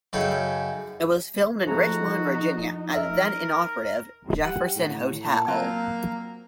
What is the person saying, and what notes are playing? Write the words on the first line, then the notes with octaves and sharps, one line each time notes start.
It was filmed in Richmond, Virginia, at the then-inoperative Jefferson Hotel.
F#2 C#3 D#4 A4 G5 B5
F3 G#3 A3 D#4 F#4 A#5
A#4 D#5 E5
G3 F#5
A2
A#2 A5
F#3 A#3 C4 F4